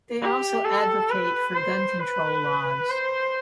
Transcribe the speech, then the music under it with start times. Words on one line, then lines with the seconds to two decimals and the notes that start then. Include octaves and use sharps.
They also advocate for gun control laws.
0.21 G4
0.65 A4
1.10 B4
1.55 C5
1.99 B4
2.90 C5